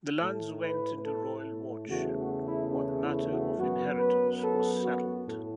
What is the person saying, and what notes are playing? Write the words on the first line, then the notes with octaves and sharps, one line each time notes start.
The lands went into royal wardship while the matter of inheritance was settled.
A2 A3 A4
B4
A4
E2 C#3 A3 F#4
F#4
E4
C#4
E4
F#4
F#2 F#3 B3 F#4
B4
A4
F#4
A2 A4